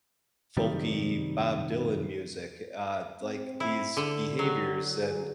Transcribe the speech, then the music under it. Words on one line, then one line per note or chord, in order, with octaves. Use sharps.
folky Bob Dylan music, uh, like, these behaviors, and
F#2 C3 D#3 G3
C4
E4
D3
F#3 G4
G#4